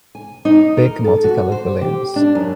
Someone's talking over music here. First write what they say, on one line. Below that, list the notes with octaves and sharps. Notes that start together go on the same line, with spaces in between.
Big multicolored balloons.
G#5
D#4
A#4
A4
F#4
C5
G4
D4
F#2